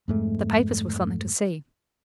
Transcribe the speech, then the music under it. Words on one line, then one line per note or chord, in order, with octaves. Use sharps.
The papers were something to see.
F2 G#2 A3